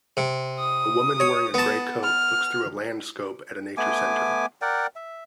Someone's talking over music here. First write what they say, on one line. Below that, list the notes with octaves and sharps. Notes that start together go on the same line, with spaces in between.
A woman wearing a gray coat looks through a Landscope at a nature center.
C3
D#6
C#5
B3 A5
F6
A3 B3 G#5 D6
A#4 D5 F#5 G5
E5